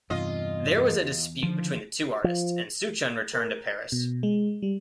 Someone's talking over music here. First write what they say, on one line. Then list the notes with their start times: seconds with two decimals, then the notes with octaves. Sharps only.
There was a dispute between the two artists, and Souchon returned to Paris.
0.10 E2 G2 C3 F4 D#5
1.43 D3 D#3 F3
2.24 F3
3.33 A#4
3.92 B2
4.23 G#3
4.62 G3